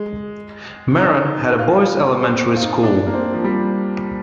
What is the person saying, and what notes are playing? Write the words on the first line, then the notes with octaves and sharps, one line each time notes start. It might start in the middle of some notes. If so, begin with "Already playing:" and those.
Meron had a boy's elementary school.
Already playing: G#3
D#4
F4
C4
F4
D#4
D4
A#3
C4
F3
G3